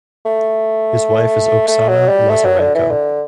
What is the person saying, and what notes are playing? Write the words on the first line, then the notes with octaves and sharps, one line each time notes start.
His wife is Oksana Lazarenko.
A3
A3
F#3
G3
A3
F#3
D3
E3
D3